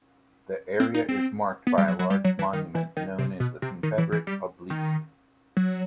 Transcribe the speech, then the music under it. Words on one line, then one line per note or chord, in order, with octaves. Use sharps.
The area is marked by a large monument known as the Confederate Obelisk.
C4
D#4
C4
B3
G3
F#3
F#3
G3
F#3
E3
D#3
E3
D#3
C3
B2
C3
D#3
E3
E3
G3
D#3
F#3